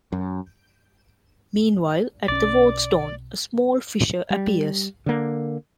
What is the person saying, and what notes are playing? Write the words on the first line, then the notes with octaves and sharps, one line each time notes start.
Meanwhile at the wardstone a small fissure appears.
F#2
B1 C#4 D5
G3
D3 A#3